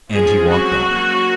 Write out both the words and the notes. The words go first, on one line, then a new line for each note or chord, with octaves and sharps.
And he walked on.
F3 G#3 C#4 G#4
F#3 C4 F#4
F#3 A#3 C#4